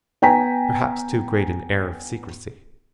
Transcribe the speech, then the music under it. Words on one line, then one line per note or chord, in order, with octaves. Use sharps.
Perhaps too great an air of secrecy.
B3 G5 G#5 A#5 B6